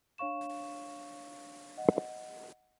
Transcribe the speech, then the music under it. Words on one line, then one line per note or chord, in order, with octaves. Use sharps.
Buildings can be destroyed if a monster directly attacks or is thrown into it.
D4 C#5 F5 C#6 E7
D#5 F#5